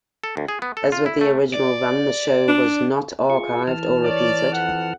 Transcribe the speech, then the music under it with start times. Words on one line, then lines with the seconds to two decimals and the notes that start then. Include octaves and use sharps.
As with the original run the show was not archived or repeated.
0.24 A4
0.37 D2
0.48 G#4
0.62 B3
0.77 A4
0.92 F4
1.06 E4
1.21 A3
1.54 D5
2.48 D4
3.30 F4 G#4 C#6
3.67 E3 A5 F6
4.03 C#5 D5
4.53 F2 F#5